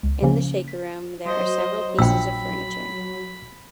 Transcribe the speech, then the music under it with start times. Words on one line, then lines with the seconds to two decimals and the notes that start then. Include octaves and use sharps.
In the Shaker room there are several pieces of furniture.
0.03 C#2
0.22 C#3 F3 A#3 C#4
0.68 B6
1.25 F#3 C5 D#5
1.99 A#1 G5 B5 E6